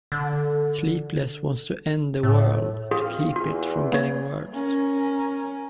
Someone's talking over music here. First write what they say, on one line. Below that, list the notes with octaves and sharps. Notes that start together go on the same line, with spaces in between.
Sleepless wants to end the world to keep it from getting worse.
D3
A2
C4 F4 G4 G#4 F5
E2 F4
A#3 B4 C#5
C#4 A#4